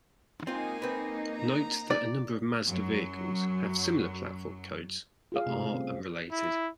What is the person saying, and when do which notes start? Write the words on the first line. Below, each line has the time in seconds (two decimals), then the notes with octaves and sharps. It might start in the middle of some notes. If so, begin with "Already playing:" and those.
Note that a number of Mazda vehicles have similar platform codes but are unrelated.
0.47 G#3 A#3 C4 D#4 F4 G#5
0.82 C4 B4
1.35 A#5
1.91 D5
2.68 F#2 F#3
5.32 F4 G#4 F5
5.46 C3 A3 G4
5.59 B2
5.74 G3 C4 C#4
6.31 E4